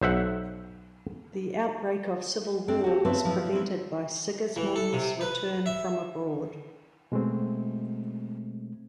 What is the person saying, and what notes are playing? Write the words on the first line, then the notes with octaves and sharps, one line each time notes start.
The outbreak of civil war was prevented by Sigismund's return from abroad.
B1 C5 E5 F#5
C4 D4 D5
F#4 G4
C#3 B3 C4 B4 E5 A5
F3 E4 B4
C4 E4
E3
A4
C3
B4
E5
B2 G#3 A3 C4